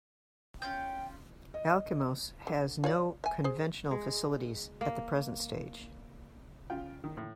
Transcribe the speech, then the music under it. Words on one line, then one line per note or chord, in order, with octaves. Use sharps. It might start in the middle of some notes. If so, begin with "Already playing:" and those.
Alkimos has no conventional facilities at the present stage.
C#4 F4 G5 G6
D#5
D3
F4 C#5 D5
E5 G#5
G#4 C5
G#3
A#3
C#3 F4 G5
D#3
A2